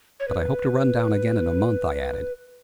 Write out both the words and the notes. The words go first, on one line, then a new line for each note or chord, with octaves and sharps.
"But I hope to run down again in a month," I added.
C#5
B4